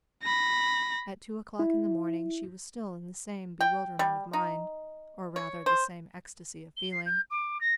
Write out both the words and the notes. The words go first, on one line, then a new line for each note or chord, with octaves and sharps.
At two o'clock in the morning she was still in the same bewilderment of mind, or rather the same ecstasy of feeling.
B5 A#6
E4
G5
G3
D#4
C#5
C5
G7
C7
G6
D6
A#6